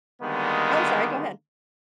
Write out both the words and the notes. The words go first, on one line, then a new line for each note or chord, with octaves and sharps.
Oh, I'm sorry, go ahead.
D3 D#3 G3 G#3 A#3 B3